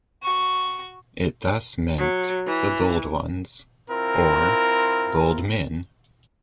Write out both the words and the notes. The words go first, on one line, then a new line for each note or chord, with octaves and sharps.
It thus meant "the Bold ones" or "Bold men".
F#4 C#6
F#3
E3
C4 E4 F4 A#4